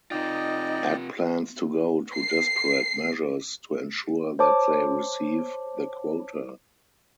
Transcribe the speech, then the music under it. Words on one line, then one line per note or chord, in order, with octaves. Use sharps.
Ed plans to go to desperate measures to ensure that they receive the quota.
C3 D#4 F4 D5 D#5 G5
C7
C5 C#5 A5 D6